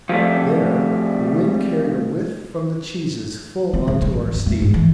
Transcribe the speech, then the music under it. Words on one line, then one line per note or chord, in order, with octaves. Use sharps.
There, the wind carried a whiff from the cheeses full on to our steed.
F3 G3 A3 C4
C4
C#3
A3
A1
F2
A3
G#2
E3